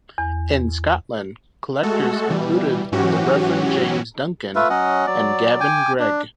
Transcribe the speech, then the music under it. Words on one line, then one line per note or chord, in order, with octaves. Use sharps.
In Scotland collectors included the Reverend James Duncan and Gavin Greig.
E2
G#3 A3 F#4 A4
B2 E3 G3
G#2 E3 F#3 C#4 F#4 G4
A3 F4 B4 E5
F#3 C#4 D#5 F#5
F#3 D5
G5 G#5 D6
D4